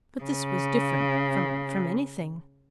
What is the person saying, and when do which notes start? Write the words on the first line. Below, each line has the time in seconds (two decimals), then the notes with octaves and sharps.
But this was different from--from anything.
0.24 C#3